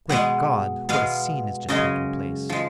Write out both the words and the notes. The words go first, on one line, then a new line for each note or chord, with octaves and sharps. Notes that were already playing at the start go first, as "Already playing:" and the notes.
Great God! what a scene has just taken place!
B2 G#3 B3 F#5
B2 G#3 B3 F5
F#2 C#3 G#3 D#5
F3 G#3